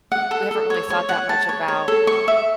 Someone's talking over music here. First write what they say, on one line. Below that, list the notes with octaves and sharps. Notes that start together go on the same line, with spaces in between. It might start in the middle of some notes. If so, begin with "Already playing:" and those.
We haven't really thought that much about
F#5
A4
A4
C#5
C#5
F#5
A5
C#5
C#5
A4
C#6
E5